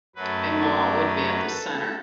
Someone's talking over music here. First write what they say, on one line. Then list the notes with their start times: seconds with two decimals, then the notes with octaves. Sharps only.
A mall would be at the center.
0.16 F#2 F#3 A3 B4
0.60 D5
1.05 B4
1.49 A4